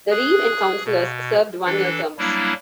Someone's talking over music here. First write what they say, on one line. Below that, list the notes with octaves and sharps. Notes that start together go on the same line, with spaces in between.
The reeve and councillors served one-year terms.
G#4 F#6
B2
E3 D4 A4
F#3 G3 A#3 D4 E4